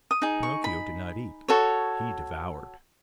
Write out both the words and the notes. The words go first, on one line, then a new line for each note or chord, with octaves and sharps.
Pinocchio did not eat; he devoured.
D#6
D#4 G#4
C#6
B5
F#4 A4 C#5